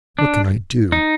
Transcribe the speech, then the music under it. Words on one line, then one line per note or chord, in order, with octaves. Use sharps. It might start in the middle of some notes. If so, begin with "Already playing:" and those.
'What can I do?
D4
D#4